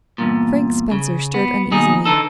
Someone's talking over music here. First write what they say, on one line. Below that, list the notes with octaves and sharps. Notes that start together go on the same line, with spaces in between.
Frank Spencer stirred uneasily.
E2 G2 A#2
C#3
B3
D#2 B2 D#4 G#4
D3 E3 D#4 A4